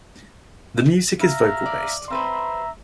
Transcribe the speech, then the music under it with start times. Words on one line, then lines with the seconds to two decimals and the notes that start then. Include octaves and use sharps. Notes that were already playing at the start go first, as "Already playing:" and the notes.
The music is vocal based.
1.21 E5 F5 A#5
1.66 D5
2.10 C4 B4 C5 E5 A#5